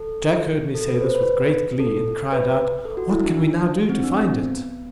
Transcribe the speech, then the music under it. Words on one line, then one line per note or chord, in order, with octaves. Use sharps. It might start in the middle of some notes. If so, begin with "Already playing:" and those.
Jack heard me say this with great glee, and cried out, "What can we now do to find it?"
Already playing: A4
A4
B4
C5
B4
A4
B4
A4
F#4
E4
D4
D4
C4
D4
C4
B3